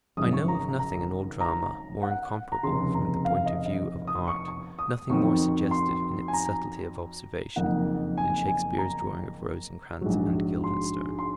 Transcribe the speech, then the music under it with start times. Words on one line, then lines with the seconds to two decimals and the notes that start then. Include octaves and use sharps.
I know of nothing in all drama more incomparable from the point of view of art, nothing more suggestive in its subtlety of observation, than Shakespeare's drawing of Rosencrantz and Guildenstern.
0.17 G#1 F#2 C#3 F3 D#6
0.33 C#6
0.48 A#5
0.79 A#5
1.40 A#5
2.03 F#5
2.52 A#5
2.63 F1 D#2 C#3 C6
2.94 A#5
3.25 F5
3.46 D#5
3.66 D#5
4.07 D#6
4.28 C#6
4.48 C#6
4.79 D#6
5.10 F2 D#3 F#3 C4 D#4 C#6
5.71 C6
6.28 G#5
6.33 A#5
7.56 F#1 F2 D#3 A#3 D#4 F#5
8.17 G#5
8.48 G#5
8.78 A#5
10.01 A#1 G#2 F#3
10.64 C6
11.19 C6